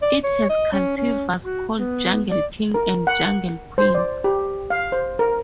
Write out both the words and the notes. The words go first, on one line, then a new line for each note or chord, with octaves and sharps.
It has cultivars called Jungle King and Jungle Queen.
D5
C#5
D#5
C#4
C#4
F#4
B3
D5
A#4
F#5
C5
D5
G4
F5
C5
A#4